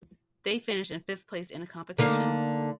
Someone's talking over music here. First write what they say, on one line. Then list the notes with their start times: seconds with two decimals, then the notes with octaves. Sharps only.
They finished in fifth place in the competition.
1.98 D3 A#3 D#4